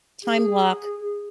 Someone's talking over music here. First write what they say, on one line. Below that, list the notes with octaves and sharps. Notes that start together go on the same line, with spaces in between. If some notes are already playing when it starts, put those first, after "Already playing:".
time block,
G#4